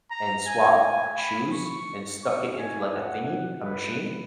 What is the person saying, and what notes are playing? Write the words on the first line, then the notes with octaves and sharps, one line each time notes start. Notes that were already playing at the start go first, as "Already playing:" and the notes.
and swabbed my shoes, and stuck it into, like, a thingy, a machine,
A#5
G#5
G#5
B5
C#6
C#6
G#5
F#5
B4